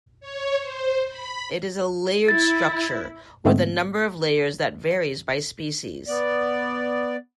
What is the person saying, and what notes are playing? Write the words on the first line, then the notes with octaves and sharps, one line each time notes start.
It is a layered structure, with a number of layers that varies by species.
C#5
C5
B5
E4 A6
G#2 D3 G#3 A3 B3 C4
B3 D5